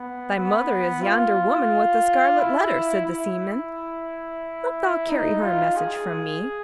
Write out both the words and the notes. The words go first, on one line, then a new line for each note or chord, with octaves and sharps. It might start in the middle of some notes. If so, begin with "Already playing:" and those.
"Thy mother is yonder woman with the scarlet letter," said the seaman, "Wilt thou carry her a message from me?"
Already playing: B3
B3
F4
E4
E4
D#4
F4
G#4